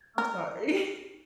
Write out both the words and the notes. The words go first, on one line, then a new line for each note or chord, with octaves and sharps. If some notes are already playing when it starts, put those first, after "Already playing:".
I'm sorry.
A#4